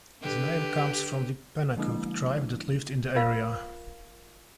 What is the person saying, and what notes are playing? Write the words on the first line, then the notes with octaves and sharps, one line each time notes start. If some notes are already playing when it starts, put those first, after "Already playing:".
The name comes from the Pennacook tribe that lived in the area.
D3 G4 B4
D3 F3 G#3 A#3 D4 E4
F4 A#4 F5